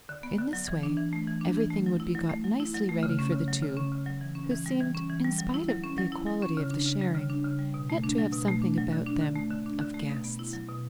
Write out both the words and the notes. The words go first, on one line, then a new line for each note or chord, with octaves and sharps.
In this way everything would be got nicely ready for the two who seemed, in spite of the equality of the sharing, yet to have something about them of guests.
D3
B3
D3
F#3
E3
D4
E3
A3
E3
D4
E3
A3
F#3
E4
F#3
A3
F#3
E4
F#3
A3
C#3
C#4
C#3
F#3
C#3
C#4
C#3
F#3
E3
C#4
E3
G3
E3
C#4
E3
G3
F#3
E4
F#3
C#4
F#3
E4
F#3
C#4
C#3
D4
C#3
G3
C#3
D4
C#3
G3
B2
A3
D4
F#3
B2
A3
D4
F#3
D3
D4
D3
A3
D3
D4
D3
A3
B2
B3
E4
F#3
B2